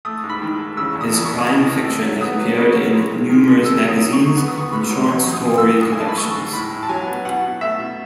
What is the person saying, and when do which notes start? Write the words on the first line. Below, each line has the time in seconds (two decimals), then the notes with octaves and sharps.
His crime fiction has appeared in numerous magazines and short-story collections.
0.05 A3 D#6
0.24 G#2
0.30 B5
0.42 D#3
0.59 G#2
0.77 C#3 E6
0.95 E2
1.01 D#6
1.13 E2
1.25 C#6
1.31 E2
1.49 A2 D#6
1.68 A2
1.85 A3
2.03 F#3
2.21 B3 D#6
2.40 F#3
2.57 C#3
2.76 F#3
2.93 G#3
3.11 D#3
3.30 D#3
3.48 G#3
3.65 A3 E6
3.83 F#3
3.89 D#6
4.01 D#4
4.13 C#6
4.19 D#4
4.37 B3 C#6
4.48 D#6
4.55 B3 C#6
4.73 G#2 B5
4.91 F#3
5.09 F#2 C#6
5.27 F#2
5.33 D#6
5.45 F#2
5.58 E6
5.63 F#2
5.81 G#2 D#6
5.92 G#5
5.99 G#2 A5
6.08 B5
6.17 A3 C#6
6.35 G#2
6.53 A2 B5
6.71 A2
6.83 A5
6.89 F#3 G#5
7.06 B3
7.25 B2 F#5
7.42 B2
7.61 A3 E5
7.79 B2